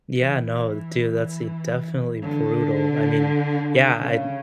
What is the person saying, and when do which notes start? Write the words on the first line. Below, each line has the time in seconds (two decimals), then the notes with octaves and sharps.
Yeah, no, dude, that's definitely brutal. I mean, yeah, I
0.15 E3
2.22 D3
3.99 C#3